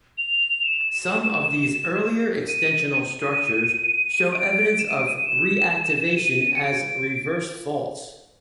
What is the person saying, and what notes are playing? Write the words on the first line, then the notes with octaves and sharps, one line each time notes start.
Some of these earlier extensional structures show evidence of reactivation as reverse faults.
F7
E7
D#7
D#7
D7
E7
D#7
D7
D#7
E7
D#7
C#7
D7